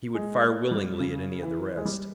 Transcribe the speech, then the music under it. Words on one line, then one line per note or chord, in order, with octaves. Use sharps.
He would fire willingly at any of the rest.
G#3
A#3
G3
C#3
E3
G#3
G3